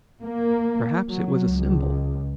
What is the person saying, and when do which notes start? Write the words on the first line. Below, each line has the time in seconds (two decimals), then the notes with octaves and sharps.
Perhaps it was a symbol.
0.21 A#3
1.07 F#3
1.45 C#2